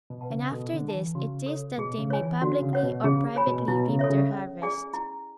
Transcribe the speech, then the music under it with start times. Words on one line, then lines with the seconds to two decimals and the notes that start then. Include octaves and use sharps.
And after this it is that they may publicly or privately reap their harvest.
0.10 B2
0.21 B4 F#5 A5
0.30 C#3
0.52 B2 A4
0.73 D3
0.83 D5
0.88 A5
0.94 E3
1.15 C#3 F#4
1.46 A4 C#5
1.78 B2 G#4
1.99 C#3
2.10 C#5 G#5
2.20 E3
2.41 D3 F#4
2.62 C#3
2.73 C#5 F#5
2.83 B2
3.04 C#3 G#4
3.36 C#5 G#5 B5
3.47 B2
3.68 B2 E4
3.88 C#3
3.99 A4 C#5 E5
4.10 C#3
4.31 C#4
4.62 E4 G#4 D5 G#5
4.94 E4